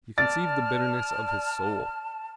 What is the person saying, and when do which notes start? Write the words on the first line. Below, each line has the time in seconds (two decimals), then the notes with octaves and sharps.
You conceive the bitterness of his soul.
0.18 D5 A5 F6 A6